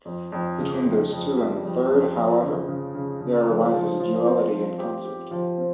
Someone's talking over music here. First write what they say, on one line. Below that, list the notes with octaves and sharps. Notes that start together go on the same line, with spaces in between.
Between those two and the third, however, there arises a duality in concept.
F2
F2
C#3
F2
F2
G3
F2
F2
F3
C#3
C#3
C#3
C#3
F3
F3
F3
C4
F3
G4
G4
F3
C4